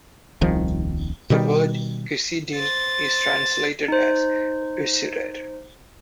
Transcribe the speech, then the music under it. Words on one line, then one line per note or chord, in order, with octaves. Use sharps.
The word "kusidin" is translated as usurer.
D#1 C2 D#3 F3
B2 D#3 G3
C5 A6
D#4 C5